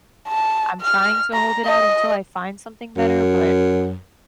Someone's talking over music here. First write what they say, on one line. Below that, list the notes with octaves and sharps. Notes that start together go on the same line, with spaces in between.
I'm trying to hold it out until I find something better, but
A5
F6
A#5
D#5
F#2